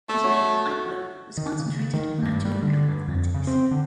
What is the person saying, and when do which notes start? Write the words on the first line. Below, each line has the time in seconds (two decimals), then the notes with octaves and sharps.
His main applied work was concentrated on actuarial mathematics.
0.09 A3 E5
0.24 F#4 C#5
1.37 D#3
1.60 C#3
1.94 D#3
2.23 G2
2.45 G3
2.62 D3
2.88 G2
3.08 F2
3.34 C#3
3.47 C4
3.71 D3